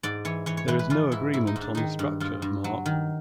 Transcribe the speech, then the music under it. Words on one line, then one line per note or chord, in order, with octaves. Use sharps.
There is no agreement on the structure of Mark.
G#2 D5
E3 C#5
E3 C#5
C#5
E3 B4
B4
E3 F4
G#2 E4
G#2 E4
D#4
G#2
D4
D#3 D#4
G2
G2 F4
G2
F#3
D#3